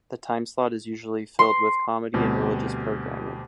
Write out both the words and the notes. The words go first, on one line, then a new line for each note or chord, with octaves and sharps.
The time slot is usually filled with comedy and religious programming.
C6
D2 B2 G3 C4 G4